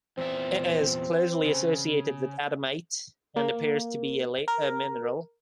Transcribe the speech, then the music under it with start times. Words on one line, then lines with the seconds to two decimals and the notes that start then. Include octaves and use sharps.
It is closely associated with adamite, and appears to be a later mineral.
0.18 E2 A#2 C4 E5
1.45 C#3
3.36 A#3
4.48 A#4